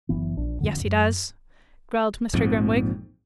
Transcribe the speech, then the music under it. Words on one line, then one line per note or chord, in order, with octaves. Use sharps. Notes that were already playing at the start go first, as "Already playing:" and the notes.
'Yes, he does,' growled Mr. Grimwig.
F#1 E3 B3
A#1 D4
F2 D3
F#2
A#1 F2 G#2